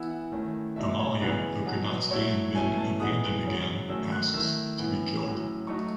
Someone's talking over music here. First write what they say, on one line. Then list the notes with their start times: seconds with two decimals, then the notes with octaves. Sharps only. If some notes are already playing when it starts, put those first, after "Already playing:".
Amalia, who could not stand been abandoned again, asks to be killed.
Already playing: E3 B3 E4 E6
0.10 F#5
0.32 D#3 A3 C#4 E4
0.76 B2 A3 D#4 E5
0.99 C#5
1.21 C#3 E3 B3 D#4 B4
1.65 B2 F#3 B3 D#4
2.10 F#3 A3 E4 C#5
2.55 B2 A3 C#4 E4 G#5
2.78 A5
3.00 E3 G#3 B3 D#4 D#6
3.44 C#3 F#3 C#4
3.89 D#3 F#3 A3 C#4 E6
4.12 F#6
4.33 D#3 A3 E4 E6
4.79 A2 E3 B3
5.23 A2 F#3 C#4
5.67 F#3 A3 D#4 C#6